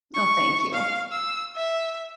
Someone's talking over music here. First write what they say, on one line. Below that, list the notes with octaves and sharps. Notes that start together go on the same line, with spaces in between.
Oh, thank you.
C#6
F5
E6
E5